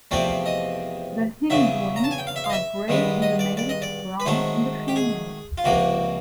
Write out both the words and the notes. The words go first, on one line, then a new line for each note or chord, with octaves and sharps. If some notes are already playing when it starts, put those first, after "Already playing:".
The hindwings are grey in the male, brown in the female.
E2 C3 F3 A3 C4 D5
D#5
E2 C#3 F#3 E5
A#5
A5
G#5
G5
F5
E5
F5
D#5
E5
G2 D#3 G#3 B3
D#5
D5
D5
D#5
D5
B4
G#2 D#3 F#3 A3 C5
G4
G#4
F4
C#2 C3 F3 A#3 F#4